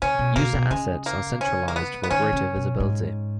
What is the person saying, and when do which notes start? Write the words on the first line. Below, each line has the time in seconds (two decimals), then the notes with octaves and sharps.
User assets are centralized for greater visibility.
0.02 C#3 C#4
0.19 B2
0.36 B2 A#3
0.54 B2
0.70 C#3 G#3
1.06 A#3
1.41 C#4
1.68 A#3
1.76 B3
2.04 B3
2.11 D#3 C#4
2.33 C#3
2.56 B2
2.80 G#2